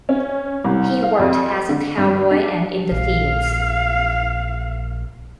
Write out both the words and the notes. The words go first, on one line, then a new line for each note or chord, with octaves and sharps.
He worked as a cowboy and in the fields.
C#4
C2
F5
F2
D3
G2
D4
A#1 F5